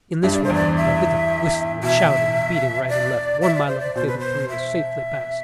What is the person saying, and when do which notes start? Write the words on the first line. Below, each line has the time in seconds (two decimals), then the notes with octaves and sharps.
In this way, by dint of whistling and shouting, and beating right and left, one mile of the fatal three was safely passed.
0.23 G2 G3 E5
0.33 D5
0.44 C5
0.50 E2 E3 D5
0.76 E5
1.83 B2 E5
2.89 D5
3.42 E5
3.54 D5
3.67 C5
3.79 D5
3.95 B2 C5
4.07 B4
4.19 C5
4.49 E5